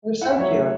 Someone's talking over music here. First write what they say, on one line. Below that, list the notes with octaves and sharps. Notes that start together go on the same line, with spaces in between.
They're so cute.
E4 F#5
E5
F#3 C#5
A3 E5